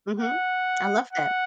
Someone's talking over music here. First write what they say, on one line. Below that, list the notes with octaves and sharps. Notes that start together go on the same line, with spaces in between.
Mhm, I love that.
F#5
F#5